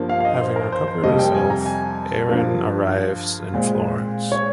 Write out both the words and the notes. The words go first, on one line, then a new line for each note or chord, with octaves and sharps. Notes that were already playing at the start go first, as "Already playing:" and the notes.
Having recovered his health, Aaron arrives in Florence.
Already playing: G2 F3 A#3
F5
F5
D#5
C5
A#4
C5
C5
F2 C3 G3 A#3 D#5
G5
G#5
A#5
G#5
G2 F3 A#3
A#2 G#3 C4
C#5